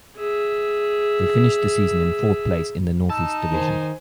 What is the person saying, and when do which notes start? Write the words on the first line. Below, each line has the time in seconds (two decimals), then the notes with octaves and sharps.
They finished the season in fourth place in the "Northeast Division".
0.17 G#4 E5
3.10 D#4 A5 E6
3.51 D#3 C5 G#5